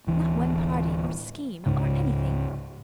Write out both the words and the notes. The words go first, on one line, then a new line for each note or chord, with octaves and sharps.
Not one party, or scheme, or anything.
D1 E3
C#2 G#2 C#3